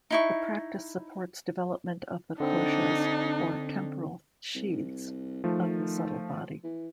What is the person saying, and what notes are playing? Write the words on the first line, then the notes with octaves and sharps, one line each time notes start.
The practice supports development of the koshas, or temporal sheaths, of the subtle body.
D#4 E4 C#6
D3 C4 D4 D#4
C2
D#3 F3 A3
E3